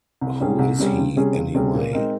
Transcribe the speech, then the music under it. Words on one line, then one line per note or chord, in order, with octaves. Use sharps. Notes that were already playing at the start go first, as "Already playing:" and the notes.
Who is he, anyway?
C2
C3 G3 C#4 G#4
C2
C3 G3 C#4 G#4
C#2
C3 G3 C#4 G#4
C#2
C3 G3 C#4 G#4
A#2
G#3 C4 D#4 A#4